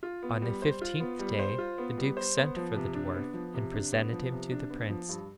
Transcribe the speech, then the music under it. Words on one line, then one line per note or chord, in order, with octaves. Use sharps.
On the fifteenth day the duke sent for the dwarf and presented him to the prince.
F4
B3
G3
C5
F4
B3
G3
C5
F4
B3
G3
C5
B3
F3
C3
D4
B3
F3
C3
D4
B3
F3
C3
D4
B3
F3
G2